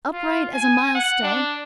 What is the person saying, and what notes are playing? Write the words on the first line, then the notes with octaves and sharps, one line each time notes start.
Upright as a milestone.
F4
G#5
F#5
D4